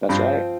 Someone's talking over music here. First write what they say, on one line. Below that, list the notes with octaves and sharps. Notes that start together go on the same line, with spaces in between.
That's right.
G2 F3 C4 F4 C5